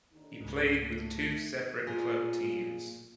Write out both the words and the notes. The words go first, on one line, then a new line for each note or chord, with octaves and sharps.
He played with two separate club teams.
D#2 D3 D#4
C#2 G#2
A3
A#2 F4 G#4